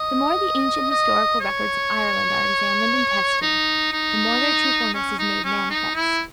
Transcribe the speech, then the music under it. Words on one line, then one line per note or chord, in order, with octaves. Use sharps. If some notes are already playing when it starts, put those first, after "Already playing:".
The more the ancient historical records of Ireland are examined and tested, the more their truthfulness is made manifest.
Already playing: D#5
D#5
C#5
D#4
D#4
C#4
D#4
C#4
D#4
E4